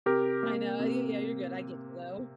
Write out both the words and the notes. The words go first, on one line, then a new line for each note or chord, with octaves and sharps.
I know, yeah, yeah, you're good I get you though.
C3 G4 A#4
A#3
C3